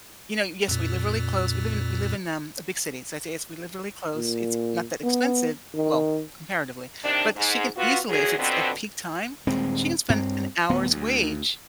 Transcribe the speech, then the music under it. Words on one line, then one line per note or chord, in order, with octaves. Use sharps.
you know yes, we live really close, we live in we live in, um, a big city, so, I'd say it's we live really close, it's not that expensive- well, comparatively. But she can easily if it's, like, peak time, she can spend an hour's wage
F2 A#2
A#2
B3
D#3
C3 D#3 D4
G#2
B3 F4 F#4
E2 F#3 G#4
B2 D3 F3 B3 C4
D#1 G#3 C4
G2 C4
D1 B3
D2